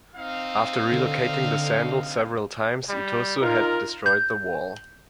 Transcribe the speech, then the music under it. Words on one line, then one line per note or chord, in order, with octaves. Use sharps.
After relocating the sandal several times, Itosu had destroyed the wall.
C4 D#4 F5
D3
G3
D#4 F4 A#4
G6